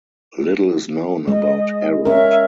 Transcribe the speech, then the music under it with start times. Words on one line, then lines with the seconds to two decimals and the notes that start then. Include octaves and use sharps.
Little is known about Harold.
1.28 G#3 D#5
2.05 C#4 A#4 E5